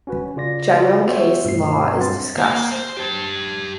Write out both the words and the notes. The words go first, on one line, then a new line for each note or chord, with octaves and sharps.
General case law is discussed.
C#4 F#4 B4
C#3 F4 D5 A#6
B3 F#4 G4 C5 C#5 E5
G2 B2 A3 C7
G2 C4 B4 F#5 C6 A6
A#3
C5
G4 A5